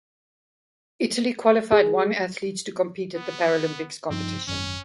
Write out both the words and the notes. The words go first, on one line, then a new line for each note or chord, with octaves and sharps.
Italy qualified one athletes to compete at the Paralympics competition.
G#4
B3
G2 F3 C4 D#4
G#1 F#2 C#4